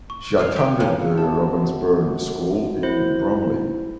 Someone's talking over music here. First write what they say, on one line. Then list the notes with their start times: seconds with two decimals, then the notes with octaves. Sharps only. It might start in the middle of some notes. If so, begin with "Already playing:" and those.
She attended the Ravensbourne School in Bromley.
0.10 C#6
0.38 F4 C5 C#5 F6
0.56 G4 G5
0.80 C#3 F3 A#3 B4 C#5 G5
1.18 F#2 A5
2.83 E4 C5